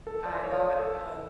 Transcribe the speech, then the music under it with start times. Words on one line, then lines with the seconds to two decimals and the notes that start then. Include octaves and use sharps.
M I got a
0.07 A4
0.26 D5
0.43 C#5
0.79 A4